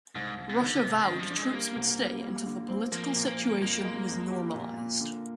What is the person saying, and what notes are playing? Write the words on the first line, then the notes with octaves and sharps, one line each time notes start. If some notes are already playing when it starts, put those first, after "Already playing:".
Russia vowed troops would stay until the political situation was "normalised".
C2 G#2
C2
C3
D#3
D3
G#2 C3
D#3
D4
F3
D4
G#3
G3 A#3
C2
G3
G3
D3
C4
F3 A#3
A#2
A#3
F3
F2 A#3
G#3
F2
G4
A#2
A#2
D3